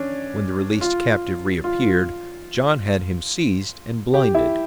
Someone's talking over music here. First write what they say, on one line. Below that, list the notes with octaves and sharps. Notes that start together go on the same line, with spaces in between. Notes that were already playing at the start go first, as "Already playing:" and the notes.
When the released captive reappeared, John had him seized and blinded.
Already playing: C#4 D4
F4
F4
G4
E4